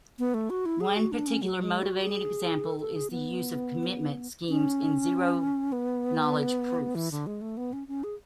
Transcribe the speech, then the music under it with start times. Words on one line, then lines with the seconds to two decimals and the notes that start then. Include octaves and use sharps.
One particular motivating example is the use of commitment schemes in zero-knowledge proofs.
0.19 B3
0.34 A3
0.50 F#4
0.66 E4
0.81 G#4
0.97 F#4
1.12 D4
1.27 C#4
1.42 F#3
1.63 G#3
1.83 F#4
2.03 G#4
2.65 A4
2.80 A4
2.96 G#4
3.11 B3
4.49 C#4
5.72 B3
6.95 E3
7.11 D3
7.27 G#3
7.41 A3
7.57 B3
7.73 C#4
7.88 C#4
8.04 G#4